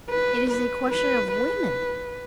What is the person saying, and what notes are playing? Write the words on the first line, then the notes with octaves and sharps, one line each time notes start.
It is a question of women.
B4
B4
B4
B4